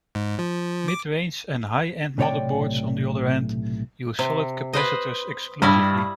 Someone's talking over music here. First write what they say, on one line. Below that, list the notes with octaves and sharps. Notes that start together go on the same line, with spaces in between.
Mid-range and high-end motherboards on the other hand use solid capacitors exclusively.
G#2
F3
D6
B1 A2 C3 C#5 D5 G5
C3
B4 C5 D#5
G2 G3 E4 D#5